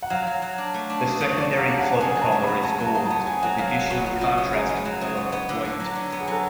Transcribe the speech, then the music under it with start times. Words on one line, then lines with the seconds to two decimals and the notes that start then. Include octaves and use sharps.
The secondary club colour is Gold, with additional contrasting colour of white.
0.02 F#5
0.10 F#3 F5
0.27 F#3
0.42 F#3
0.58 D4
0.74 A3
0.90 D4
1.05 C#3
1.21 C#3
1.30 C#5
1.37 C#3 D5
1.53 F#3
1.58 F5
1.68 D4
1.79 F#5
1.84 F#3
1.93 A5
2.01 C#3 G#5
2.15 F#3
2.22 A5
2.32 A3
2.43 B5
2.47 F#3
2.63 B3 A5
2.80 F#3 A5
2.95 C#3
3.05 A5
3.10 B3
3.26 C#3 G#5
3.43 F#3 F#5
3.58 F#3 F5
3.74 F#2
3.90 B3 F#4
4.06 B3
4.12 F4
4.21 C#3
4.32 F#4
4.38 B3
4.53 F#2 G#4
4.69 B3
4.85 F#3
5.01 C#3
5.17 B3
5.32 B3
5.49 D3
5.65 D3
5.80 F#3
5.96 D3
6.12 B3
6.20 G#4
6.27 F#3 A4